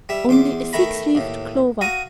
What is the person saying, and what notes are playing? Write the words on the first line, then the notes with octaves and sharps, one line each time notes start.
Only a six-leaved clover!
G3 E5
E2 C6 D6
D#3 A3 A#5 B5
D#2 A2
F#4 F5 A#5 D#6